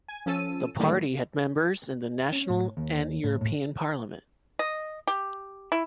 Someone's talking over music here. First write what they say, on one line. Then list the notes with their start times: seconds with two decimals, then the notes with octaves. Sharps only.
The party had members in the National and European Parliament.
0.08 G#5
0.26 F3 C#4 A4 A5 E6 D#7
0.79 A2 D3 D#3 G3 G#3 A#3
2.33 C#4
2.49 A2
2.77 D#2
3.24 A2
3.41 A2
4.59 D#5
5.07 G4
5.72 E4